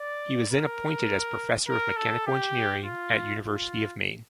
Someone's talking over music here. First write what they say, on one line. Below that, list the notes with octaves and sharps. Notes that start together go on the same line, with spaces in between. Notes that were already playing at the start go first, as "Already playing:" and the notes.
He was then appointed as Professor of Mechanical Engineering at University of Maine.
Already playing: D5
A#4
A#4
A4
G4
F4
F4